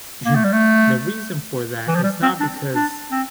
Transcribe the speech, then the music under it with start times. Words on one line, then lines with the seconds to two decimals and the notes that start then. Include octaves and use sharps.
And the reason for that is not because
0.25 A#3
0.35 A3
0.44 G3
0.52 A3
1.88 E3
1.95 F3
2.03 G3
2.22 C4
2.40 D4
2.75 D4
3.11 C4